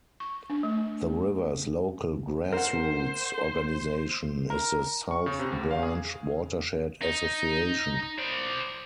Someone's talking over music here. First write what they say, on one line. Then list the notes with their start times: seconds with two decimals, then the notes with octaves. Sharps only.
The river's local grassroots organization is the South Branch Watershed Association.
0.20 C#6
0.50 D4
0.63 A3
2.53 A#4 C5 F#5
4.50 A#4
5.11 C#6
5.26 C#3
5.39 C3
5.52 D2
5.71 F5
5.83 G#4
7.02 D#4
8.18 C5 D5